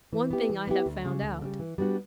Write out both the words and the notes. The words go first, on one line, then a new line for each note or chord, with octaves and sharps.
One thing I have found out.
E3
B3 E4 G4
E3
B3 E4 G4
D2
C#3 G3
D2
C#3 G3
E3
G3 B3 D4 F#4